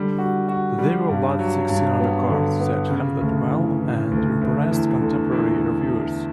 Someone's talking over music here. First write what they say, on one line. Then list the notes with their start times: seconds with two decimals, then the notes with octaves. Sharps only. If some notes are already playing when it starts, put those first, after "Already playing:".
They were large six-cylinder cars that handled well and impressed contemporary reviewers.
Already playing: D3 G3
0.18 F#4
0.48 F#4
0.78 G3
1.09 G2
1.39 F#3
1.69 G2
2.00 B3
2.29 D3
2.60 B3
2.90 C#3
3.21 D2
3.51 E3
3.81 E3
4.11 D2
4.41 D2
4.71 E2
5.01 D3
5.32 E2